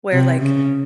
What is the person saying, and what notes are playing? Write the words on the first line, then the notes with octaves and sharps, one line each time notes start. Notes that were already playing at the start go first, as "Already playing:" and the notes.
where, like,
C3
C#3